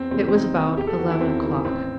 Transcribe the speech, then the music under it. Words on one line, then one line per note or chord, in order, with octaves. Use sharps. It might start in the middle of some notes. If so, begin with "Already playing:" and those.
It was about eleven o'clock.
Already playing: E2 C4
C3 E3 G3 B3 C4
C4
E2 D#4
C3 E3 G3 B3
E2 G4
A4
D#3 G3 F#4
E4
E2 C4
D#3 G3
A1 C4